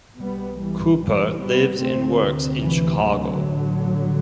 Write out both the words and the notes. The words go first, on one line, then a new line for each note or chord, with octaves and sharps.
Cooper lives and works in Chicago.
B1 B2 G3 B3
E3 G3
E3 G3
G3 B3
D2 C3 A3 C4
E3
D3 F#3
A1 A2